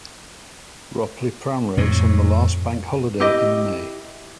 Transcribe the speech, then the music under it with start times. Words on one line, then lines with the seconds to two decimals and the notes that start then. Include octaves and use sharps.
Ropley pram race on the last bank holiday in May.
1.77 F2 A2
3.20 E4 G4 D#5